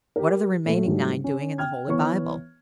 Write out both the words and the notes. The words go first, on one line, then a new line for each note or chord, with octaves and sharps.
What are the remaining nine doing in the Holy Bible?
G4 A#4
A#2 A3 A4
G#2 D#3 F#3 G3 A3
C#4
G5 F6 G#6
E3 B3 C#5 C#6